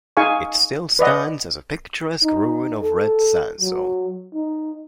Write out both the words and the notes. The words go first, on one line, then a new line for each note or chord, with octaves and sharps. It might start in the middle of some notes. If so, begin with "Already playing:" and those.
It still stands as a picturesque ruin of red sandstone.
D#4 G#4 F5 G#5 C#6
B4 D5 D#5 F#5
D#4
A4
F#3
D#4